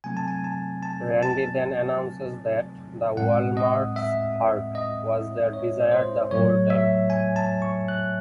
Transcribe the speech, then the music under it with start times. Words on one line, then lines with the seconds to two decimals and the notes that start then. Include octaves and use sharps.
Randy then announces that the Wall-Mart's "heart" was their desires the whole time.
0.04 C3 F#3 A3 C4 G#5
0.17 A5
0.28 G#5
0.44 A5
0.83 A5
1.23 A5
3.17 A2 G#3 C4 F#5
3.57 D#5
3.96 E5
4.75 D#5
5.53 C#5
5.92 C5
6.31 A2 F#3 A3 C#5
6.70 E5
7.10 G#5
7.36 A5
7.62 C#6
7.88 F#6